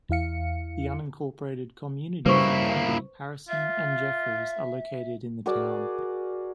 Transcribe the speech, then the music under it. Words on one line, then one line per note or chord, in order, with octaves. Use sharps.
The unincorporated communities of Bundy, Harrison, and Jeffris are located in the town.
E2 E4 F5 C#7
C#3 G3 A#3 E4 B4 C5 C#6
F4 E5
F#4 G#4 A#4 D5